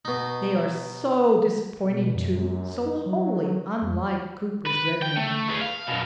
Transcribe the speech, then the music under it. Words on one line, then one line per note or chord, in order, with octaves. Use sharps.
They are so disappointing, too--so wholly unlike Cooper's red men.
B2 D#4
B2
F#2
D#4
F#3
F2
B4
G5
A3
G#4 B4
F5
F#2 B2